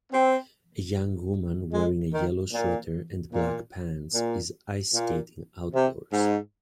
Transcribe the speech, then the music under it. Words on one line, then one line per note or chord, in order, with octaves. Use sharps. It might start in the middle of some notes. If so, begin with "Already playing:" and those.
A young woman wearing a yellow sweater and black pants is ice skating outdoors.
C4
G#3
D#3
A#2
A#2
A#2
A#2
C3
G#2